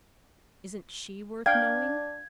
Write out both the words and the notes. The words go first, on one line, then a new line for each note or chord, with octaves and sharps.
Isn't she worth knowing?
D4 F5 G5 G#6